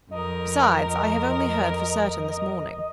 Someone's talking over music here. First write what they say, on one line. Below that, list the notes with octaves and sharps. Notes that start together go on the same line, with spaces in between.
"Besides, I have only heard for certain this morning."
F2 A#4 D#5